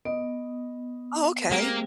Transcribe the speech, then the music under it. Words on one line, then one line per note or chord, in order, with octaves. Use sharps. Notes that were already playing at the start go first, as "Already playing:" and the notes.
Oh, okay.
B3 D#5
G#3 A#3 C4 G4